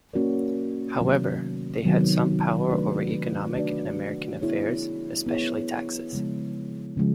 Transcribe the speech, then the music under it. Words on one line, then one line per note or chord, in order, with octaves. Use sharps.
However, they had some power over economic and American affairs, especially taxes.
A#3 C#4 F#4 A#4 D5
C3 D#3 F#3 B3
C3 D#3 F#3 B3
A3 D4 F#4 B4 D5
A3 D4 F#4 B4 D5
B3 E4 G#4 C#5
B3 E4 G#4 C#5
C#3 F3 G#3 B3
C#3 F3 G#3